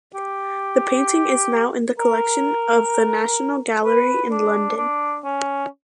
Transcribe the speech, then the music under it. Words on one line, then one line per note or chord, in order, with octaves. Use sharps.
The painting is now in the collection of the National Gallery in London.
G4
A#4
B4
D4
D4
C#4